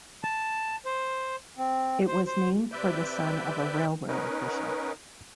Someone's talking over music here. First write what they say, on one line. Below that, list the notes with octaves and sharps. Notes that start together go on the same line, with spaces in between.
It was named for the son of a railroad official.
A5
C5
C4
C5
C5
C3 B4 D5 E5 G6
B3 C#4 D#4 A#4 B4